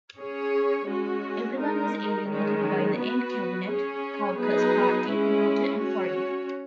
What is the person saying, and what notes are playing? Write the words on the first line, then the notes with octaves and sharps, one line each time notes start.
Everyone was alienated by the end-Cabinet, caucus, party, voter and foreigner.
C#4 G#4 C#5
G#3 C#4 F#4
G#3 D#4 A#4
D#3 G#3 C#4
B3 F#4 B4
C#4 G#4 C#5
F#3 B3 D#4 G#4 B4
G#3 C#4 E4
C#4 F#4 C#5